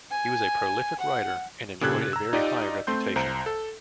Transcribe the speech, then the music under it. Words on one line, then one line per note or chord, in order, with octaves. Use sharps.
He was a prolific writer and enjoyed a very high reputation.
G#5
F#5
A#2 C#3 G4 A4 F#6 G#6
A#5 E6
D#4 F4 G4 D5 D#5
A3 C4 C6 G6
C2 C5 A#5
A4